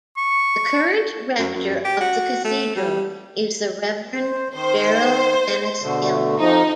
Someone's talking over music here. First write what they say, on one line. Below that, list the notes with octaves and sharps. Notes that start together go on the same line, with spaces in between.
The current rector of the cathedral is the Reverend Gerald Dennis Gill.
C#6
F#2
F#2
G4
F#4
A3
G3
C5
D#3 C5
B2 D3 A3
F2 F3 D#4